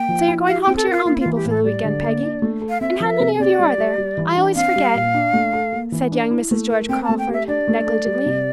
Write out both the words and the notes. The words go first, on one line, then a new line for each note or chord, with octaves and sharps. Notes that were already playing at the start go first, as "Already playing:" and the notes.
"So you're going home to your own people for the week end, Peggy?--And how many of you are there,--I always forget?" said young Mrs. George Crawford, negligently.
Already playing: A#3 G5
F3
E4
G4 F5
G5
C4
A4
F4 A#4
A#3 F4
E4
F4
E3
G4
A2 A4
G3 D5
D3
A#3
D4
A3
A4
F5
C4 E5
F3 F5
E5
C3
C4 D5
G3
G4
G3
E3
D4
C4 F5
G3
A#2
D4
A3
A4
A#3
E3
D4
E4
A3
A#4
C4 G5
A3 A5
G5
G4 E5
D4 D5
A3
A4
G3
C3